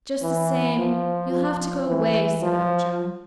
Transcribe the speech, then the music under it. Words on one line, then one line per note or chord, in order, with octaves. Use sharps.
"Just the same, you'll have to go away," said Ojo.
E3
F3
F3
E3
F3